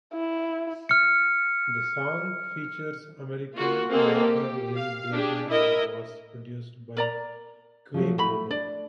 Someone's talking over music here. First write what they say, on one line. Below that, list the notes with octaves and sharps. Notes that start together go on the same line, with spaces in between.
The song features American rapper Lil Baby and was produced by Quay Global.
E4
F6 C#7
A#3 F4 F#4
A#3 C4 G#4 A4 D#5 F5
G4
F5
D4 G4 G#4
E4 A#4 D#5 E5
A#4 D5 A#5
F3 F#3 A3
A3 F#4 B5
D4 D5